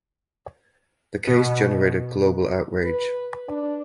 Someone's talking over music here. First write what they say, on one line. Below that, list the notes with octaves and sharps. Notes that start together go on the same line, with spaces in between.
The case generated global outrage.
B2
B4
D4